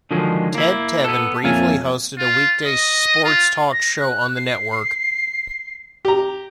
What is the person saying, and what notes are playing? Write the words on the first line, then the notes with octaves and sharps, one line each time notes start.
Ted Tevan briefly hosted a weekday sports talk show on the network.
D3 D#3 F3 F#3 G#3
A#3 E4
B3 A4
F2 A#3 F4 C#5 E5 G#5
F4
D#5
F4
A#6
F#6
C7
G4 A#5